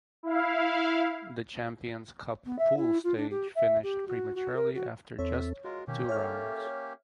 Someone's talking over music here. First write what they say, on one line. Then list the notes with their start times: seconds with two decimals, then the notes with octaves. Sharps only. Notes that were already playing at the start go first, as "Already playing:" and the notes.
The Champions Cup pool stage finished prematurely after just two rounds.
0.23 E4 F5
2.45 B3
2.58 E5
2.77 E4
3.04 F4
3.17 D4
3.30 G4
3.55 E5
3.83 G4
4.07 F#4
4.35 F#4
4.56 A#4
4.74 F#4
5.19 E2 C4 A4 C#5 E5
5.64 G#3 F4 F#4 A#4
5.87 B2 D#3 A#3 C#4 G4
6.09 A4 C#5 E5 F6